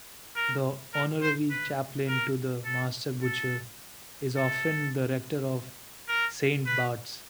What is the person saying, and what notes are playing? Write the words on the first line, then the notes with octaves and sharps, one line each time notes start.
The Honorary Chaplain to the Master Butcher is often the Rector of Saint Barts.
A#4
A#4
C5
B4
A#4
A4
A4
A4
A#4
B4